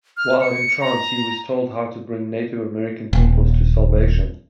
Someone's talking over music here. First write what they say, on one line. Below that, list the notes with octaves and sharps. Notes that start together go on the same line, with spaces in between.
While in trance he was told how to bring Native American peoples to salvation.
F6
C#7
A#5
D#1